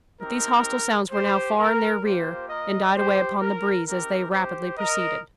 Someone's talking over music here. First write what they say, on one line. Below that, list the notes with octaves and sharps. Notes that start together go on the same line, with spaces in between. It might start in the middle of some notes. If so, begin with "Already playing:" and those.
But these hostile sounds were now far in their rear, and died away upon the breeze as they rapidly proceeded.
C4 D#4 G4 A#4
G4 C5
A#4
A#3 F4 G4 C5
A#4 D#5
G4 C5
A#4
C4 D#4 G4 A#4
G4 C5
A#4 D#5